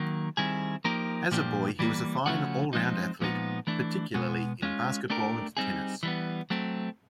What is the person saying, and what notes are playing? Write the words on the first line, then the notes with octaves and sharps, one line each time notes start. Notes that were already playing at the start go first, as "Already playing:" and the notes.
As a boy he was a fine all-round athlete, particularly in basketball and tennis.
Already playing: D#3 F#3 A#3
D#3 G3 C4 E4 G#4
F3 A#3 D#4 G4 A#4
A#2 F3 A#3 D4 G4
E3 G3 A#3
C#3 F3 A3 C#4 F#4
F3 G#3 C4 D#4
A#2 F3 G#3 B3 D#4
E3 A3 D4
B2 G#3 B3
G#3 C#4 F4
A3 D4 G4 A#4
G3 C4 D#4 G#4
E3 G3 B3
F#3 A3 C4